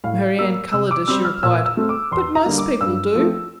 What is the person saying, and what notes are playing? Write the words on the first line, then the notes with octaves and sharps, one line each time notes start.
Marianne coloured as she replied, "But most people do."
A2 F5
G3 A#3 E6
C3 E6
D6
G3 C4 E6
F6
A#2 E6
E6
A3 C4
D6
E2 C6
A#5
D3 G3 A#3
D6
G2 E6
F3 A3 C4